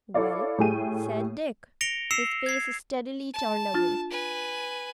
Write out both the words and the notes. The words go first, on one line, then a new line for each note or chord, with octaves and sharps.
'Well?' said Dick, his face steadily turned away.
E4 A4 C#5 D5 F5
A2 G3 A3 G#4 G5 D#7
A#6 C#7 D7 F7 G7
E6 C7 C#7 E7 F7
G#6 C7
A5
D4 F4 A6
B4 G#5